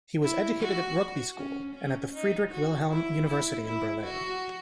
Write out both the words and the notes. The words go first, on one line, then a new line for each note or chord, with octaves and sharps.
He was educated at Rugby School and at the Friedrich Wilhelm University in Berlin.
E4
F#4
C#4
C#4
D#4
F#4
E4
E4
E4
F#4